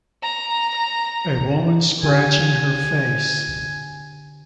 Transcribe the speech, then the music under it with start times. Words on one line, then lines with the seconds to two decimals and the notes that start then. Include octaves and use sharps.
A woman scratching her face.
0.23 A#5
2.03 D3 D4 G4 G#5